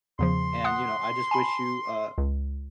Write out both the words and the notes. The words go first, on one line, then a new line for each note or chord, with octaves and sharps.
and, you know, I just wish you, uh,
E2 C#3 F3 C6
F#5 D#6 F#6
G#5 A5 B5
C#2